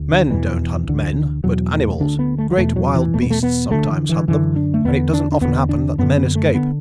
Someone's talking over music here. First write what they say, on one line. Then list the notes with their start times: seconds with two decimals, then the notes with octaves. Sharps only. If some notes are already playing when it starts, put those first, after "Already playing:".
Men don't hunt men, but animals, great wild beasts sometimes hunt them, and it doesn't often happen that the men escape.
Already playing: D2
0.12 D3
0.30 E2 B2 E3
0.87 D2 D3
1.44 E2 B2 F#3
1.72 A3
2.00 D2 D3 D4
2.19 B3
2.38 A3
2.51 F#3
2.57 E2 B2 A3
2.76 F#3
2.96 E3
3.14 E2 B2 A3
3.22 B3
3.30 A3
3.43 B3
3.71 D2 D3 A3
3.89 E3
4.09 E3
4.28 F#2 D3 E3
4.56 D4
4.74 A3
4.85 E2 D3 B3
5.13 D4
5.32 D4
5.41 E2 D3 B3
5.69 D4
5.98 F#2 D3 B3
6.17 B3
6.35 A3
6.54 D3 B3